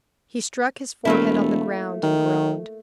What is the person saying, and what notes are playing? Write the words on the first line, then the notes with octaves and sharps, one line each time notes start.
He struck his forehead on the ground and groaned.
E1 A3 A#3 E4
D#3